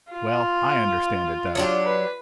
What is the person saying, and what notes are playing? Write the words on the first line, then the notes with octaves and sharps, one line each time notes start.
Well, I understand it, though.
F4
F#3 D4 G4
B4